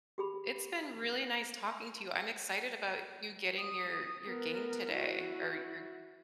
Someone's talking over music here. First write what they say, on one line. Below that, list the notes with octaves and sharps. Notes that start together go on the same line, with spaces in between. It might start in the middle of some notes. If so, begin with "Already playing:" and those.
It's been really nice talking to you. I'm excited about you getting your your game today or your
G4 G#4 B5
D#6
B3 A#4
E4 F#4